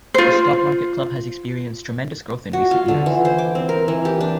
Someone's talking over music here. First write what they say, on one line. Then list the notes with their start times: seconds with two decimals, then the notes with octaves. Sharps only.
The Stock Market Club has experienced tremendous growth in recent years.
0.14 F4 C5
2.53 F#4
2.71 F4
2.88 D3
3.06 E3
3.25 C5
3.38 D6
3.55 C4
3.69 A#4
3.88 E3
4.05 G4
4.21 D4